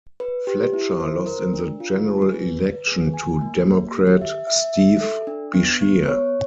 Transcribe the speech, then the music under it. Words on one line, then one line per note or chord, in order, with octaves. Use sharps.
Fletcher lost in the general election to Democrat Steve Beshear.
B4
G4
E4
C5
A#4
D4
F4
G#4
B4
B4
G#4
G#5
A#3
A#3
G4
E5
E5
E5
A4
D4
B3
B3
C#5